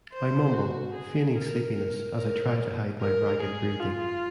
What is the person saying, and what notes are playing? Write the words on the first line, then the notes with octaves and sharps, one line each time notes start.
I mumble, feigning sleepiness, as I try to hide my ragged breathing.
C5
F#4
G#4
A#4
A#4
A#4
A#4
G#4
F4